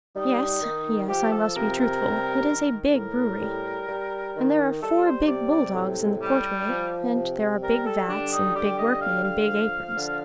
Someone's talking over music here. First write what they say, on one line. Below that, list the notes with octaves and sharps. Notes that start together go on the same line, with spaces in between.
Yes, yes, I must be truthful--it is a big brewery, and there are four big bulldogs in the courtway; and there are big vats, and big workmen in big aprons.
G3 D#4
D#3
F3 G4
A4
C3 A#4
A#4
G3
D#3
A2 A#4
G3
G3
D#3
G3 A4
C5
C3 D5
D5
A2
G3
F3
C3
G3 A#4
A4
D3 D4
D#4
G3 G4
D#5
D3 F5
F5
F3
D3